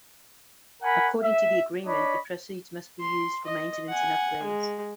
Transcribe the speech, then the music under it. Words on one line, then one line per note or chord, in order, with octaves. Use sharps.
According to the agreement, the proceeds must be used for maintenance and upgrades.
A#4 F#5 G#5 B5
E5
D4 C#5 D#5 B5
C6
D#5
F#5 G#5
G#3